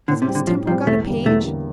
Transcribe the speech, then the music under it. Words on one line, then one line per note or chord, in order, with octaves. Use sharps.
Has Miss Temple got a page?
A2 D3
C3
G3 C4
D3
A2 F3
F3 G3 C4
E2 A3
D3 G3 A#3 E4
E2 A3
D3 G3 A#3 E4